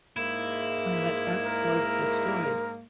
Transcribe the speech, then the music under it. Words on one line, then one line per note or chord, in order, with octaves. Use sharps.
Planet X was destroyed!
G#2 G#3 A#3 E4
A#4